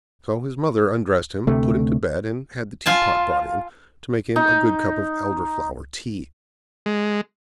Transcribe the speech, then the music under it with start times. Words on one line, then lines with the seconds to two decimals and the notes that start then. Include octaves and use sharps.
So his mother undressed him, put him to bed, and had the tea-pot brought in, to make him a good cup of Elderflower tea.
1.47 D2 C3 A3
2.86 F4 G#5 A5
4.36 D#4
6.86 G#3